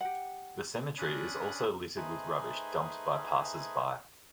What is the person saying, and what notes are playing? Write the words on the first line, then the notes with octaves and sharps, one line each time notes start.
The cemetery is also littered with rubbish dumped by passers by.
G4 F#5
C#4 D4 B5 D#6 F#6
A3 D#4 G#4 B4 C5 G#5